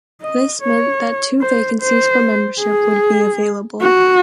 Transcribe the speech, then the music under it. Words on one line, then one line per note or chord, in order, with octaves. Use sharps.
This meant that two vacancies for membership would be available.
D#5
C#5
C5
C5
G#4
F#4